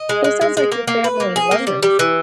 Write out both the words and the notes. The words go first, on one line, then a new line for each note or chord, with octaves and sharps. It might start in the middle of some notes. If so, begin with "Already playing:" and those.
So, it sounds like your family learned
Already playing: D#5
G#3
G#3
G#3
G#3
A#3
A#3
B4
A#3
G#4
A#3
G3
G3
E3